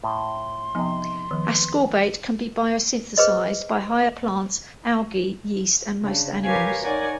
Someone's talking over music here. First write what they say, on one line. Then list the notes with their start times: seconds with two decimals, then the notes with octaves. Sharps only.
Ascorbate can be biosynthesized by higher plants, algae, yeast and most animals.
0.04 A2 C6
0.75 C3 F3 B3 D#4 G#5
1.31 D#3 F3 B3
3.17 G#4 B4 C5 D#5
6.01 C#3 D4
6.43 G4 A#4 B4 C#5 F5 G#5
6.81 D#4 A#4 C#5 D5 F#5 G#5